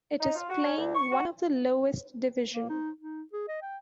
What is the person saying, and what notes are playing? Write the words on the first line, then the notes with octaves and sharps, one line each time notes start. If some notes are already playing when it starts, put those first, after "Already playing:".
It is playing one of the lowest division.
D#4
F4
F#4
C#4
D2
C#6
F#4
A#3
D#4
D#4
G#4
D#5
G5